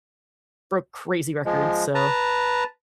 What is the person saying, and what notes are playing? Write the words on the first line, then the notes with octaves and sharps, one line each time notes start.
broke crazy records, so
F3 G#3
B4 A5 A#5